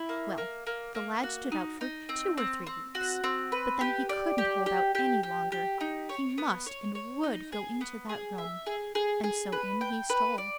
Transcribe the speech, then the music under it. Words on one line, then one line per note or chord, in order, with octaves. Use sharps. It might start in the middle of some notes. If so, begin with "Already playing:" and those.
Well, the lad stood out for two or three weeks, but then he couldn't hold out any longer; he must and would go into that room, and so in he stole.
Already playing: E4
A#3
A#3
A#3
A#3
F#4
D#4
D#4
C4
C4
C4
F#4
C4
B4
G4
D5
G4
G4
G4
G4
G4
D#4
C#5
B3
C#5
C#5
D#4
G#4
B3
G#4
E5
G#4
G#4
G#4
B4
G5
B4
D5